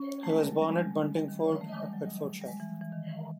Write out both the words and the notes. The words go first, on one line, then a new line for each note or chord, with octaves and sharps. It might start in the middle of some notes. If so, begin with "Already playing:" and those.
He was born at Buntingford, Hertfordshire.
Already playing: C#4
A3
G#3
G3
F#3
G3
G#3
G3
G3
D#3
E3
F3
A3
G#3
G3
F#3
G3
G3
G#3
E3
E3
D#3